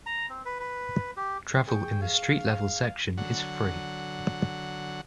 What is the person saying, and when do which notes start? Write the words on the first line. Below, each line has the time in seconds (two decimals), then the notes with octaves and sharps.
Travel in the street-level section is free.
0.06 A#5
0.29 C4
0.45 B4
0.60 B4
1.17 G4
1.68 G#4 G5 C#6
2.02 F5
3.17 D3 F#3 F#5